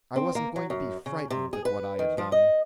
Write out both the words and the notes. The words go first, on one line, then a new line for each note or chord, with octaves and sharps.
I wasn't going to be frightened at what I had done.
C4
A#3
F#3
F#2
C#3
C3
G#4
B4
D#3
F3
D#5